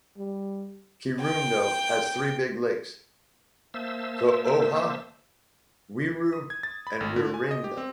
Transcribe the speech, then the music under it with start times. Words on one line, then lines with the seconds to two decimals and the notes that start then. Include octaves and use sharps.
Kirundo has three big lakes: Cohoha, Rweru, and Rwihinda.
0.17 G3
1.21 G5
3.74 A#3 C5 E5 A5 E6
6.33 D#6
6.50 G#6
6.63 A6
6.87 B5
7.01 G#1
7.16 D3
7.34 G#5
7.51 D#5
7.64 G4
7.77 C4